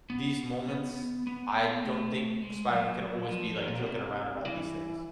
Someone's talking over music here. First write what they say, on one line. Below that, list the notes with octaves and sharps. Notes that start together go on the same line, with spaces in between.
these moments, I don't think Spider-Man can always be, like, joking around about these things.
B3
B3
B3
A3
G#3
F#3
F3
D#3
A#2
B2
C3
E3